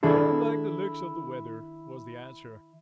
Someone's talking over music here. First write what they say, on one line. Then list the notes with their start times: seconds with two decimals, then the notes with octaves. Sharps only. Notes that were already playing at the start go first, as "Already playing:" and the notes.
"I don't like the looks of the weather," was the answer.
0.03 D#3 D4 E4 G#4 A4